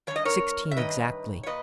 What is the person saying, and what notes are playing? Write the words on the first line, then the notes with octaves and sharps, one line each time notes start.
"Sixteen, exactly."
G2 E3 C#5
D#5
A#4 C#5
E5
G2 D#3 B4 D#5
C#5
A#2 B4 D#5